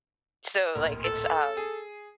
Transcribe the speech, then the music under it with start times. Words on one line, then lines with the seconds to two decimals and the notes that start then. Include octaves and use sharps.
So like it's, um,
0.75 D1 A#1 A#4
1.04 A4
1.57 G#4